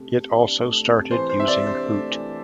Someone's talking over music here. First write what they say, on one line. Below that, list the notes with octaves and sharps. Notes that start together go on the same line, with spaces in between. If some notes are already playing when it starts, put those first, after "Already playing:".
It also started using Hoot!
Already playing: C3 A3
C3
D4
A3
C3
E3 C5
C5
C3 E5
D5
D4
C5
A3
E3